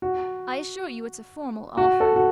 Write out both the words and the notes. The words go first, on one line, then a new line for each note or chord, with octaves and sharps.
"I assure you it's a formal offer."
F#4
F#4
A4
F#4